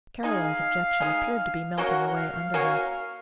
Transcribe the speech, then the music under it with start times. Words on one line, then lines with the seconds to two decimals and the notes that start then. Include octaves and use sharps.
Caroline's objection appeared to be melting away under her.
0.23 G#3 D#4 G#4 F5
1.00 G#3 D#4 G#4
1.77 A#3 C#4 F#4 A#4 F#5
2.15 F5
2.54 A#3 C#4 F#4 A#4 F5